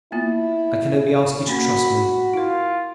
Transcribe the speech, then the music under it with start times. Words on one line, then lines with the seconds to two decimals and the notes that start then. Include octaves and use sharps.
I can only ask you to trust me.
0.12 A#3 B3 E4 F4
1.47 A#3 C#4 F#4 A#4 B5
2.33 E4 F4 A#4